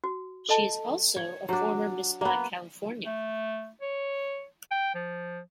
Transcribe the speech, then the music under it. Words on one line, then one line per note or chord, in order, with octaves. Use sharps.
She is also a former Miss Black California.
F#4
A4 D#5 A5
C#5
F#3 D4 G4 C#5
A#3 B3
A3
C#5
G5
F3